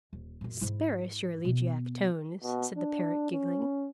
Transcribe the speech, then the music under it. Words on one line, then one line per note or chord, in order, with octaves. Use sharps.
"Spare us your elegiac tones," said the Parrot giggling.
D#1
F#2 A#2
G#2 E4
B2 B3
B2
D4
C#4